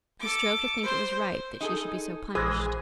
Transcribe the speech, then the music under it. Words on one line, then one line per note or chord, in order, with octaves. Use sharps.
She strove to think it was right that she should be so punished.
A4 D6
C5
D#4 G#4 A4
A#1 E3 G#3 G#4 C5 D#6